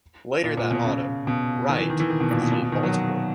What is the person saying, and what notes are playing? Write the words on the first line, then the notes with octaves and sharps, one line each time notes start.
Later that autumn, "Wright" visited Baltimore.
A#2
A#2
B2
C#3
B2
D#3
E3
D#3
E3
D#3
B2
A#2
B2
A#2
B2
D#3
F#3
F#3